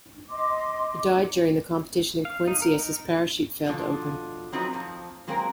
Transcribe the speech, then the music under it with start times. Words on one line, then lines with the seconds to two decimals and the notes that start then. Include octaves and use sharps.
He died during the competition in Quincy as his parachute failed to open.
0.30 D#5 C6 D6
2.25 F5
2.48 D#4
2.62 A#4
2.80 D#4
3.66 B2 D3 F3 F4
4.52 F3 F#3 C4 D#4 F#4 B4
4.73 F2 F3
5.28 F#3 G#3 A#3 C4 A#4